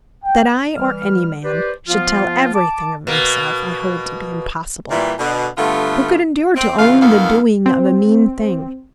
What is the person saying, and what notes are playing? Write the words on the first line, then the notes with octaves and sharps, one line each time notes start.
That I, or any man, should tell everything of himself, I hold to be impossible. Who could endure to own the doing of a mean thing?
G5
E3 G3 F6
G4 B4 C5 D5
F3 B3 F4
A5 D6
B2 A#3
A#2 E3 G3
B2 D3
G2 D3 A3 B3 F4
C4
E2 C#3 E3 F4 F5
F2 G#2 A#3 B3 A4 F5
C4